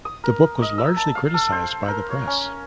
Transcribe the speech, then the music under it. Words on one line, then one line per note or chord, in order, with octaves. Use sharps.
The book was largely criticized by the press.
D#6
A#4
D#5
E6
A5
F5
A4
C5
A#4
C#5
C#4